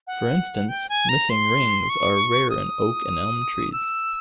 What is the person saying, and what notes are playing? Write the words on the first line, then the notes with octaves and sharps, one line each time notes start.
For instance, missing rings are rare in oak and elm trees.
F#5
G5
G#5
A#5
C6
C#6
D#6
E6